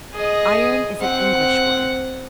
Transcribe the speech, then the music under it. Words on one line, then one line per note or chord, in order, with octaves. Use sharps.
Iron is an English word.
G#4 D#5
C4 F#5